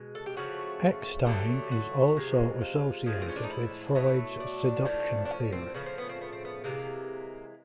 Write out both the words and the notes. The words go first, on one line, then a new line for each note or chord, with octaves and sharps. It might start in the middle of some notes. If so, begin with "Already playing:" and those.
Eckstein is also associated with Freud's seduction theory.
Already playing: B2 G#3
A4
G4
C#3 F3 A3 F#4
D3 F#3 A3 G4
F#4
C3 F3 G#3
F4
A2 F3 G#3
C4
C#4
D4
D#4
E4
B2 F#3 A3
D4
A2 F3 A3
D4
C#4
C4
C#3 F3 A3 B3
C4
B3
C4
B3
C4
B3
C3 E3 G#3 A#3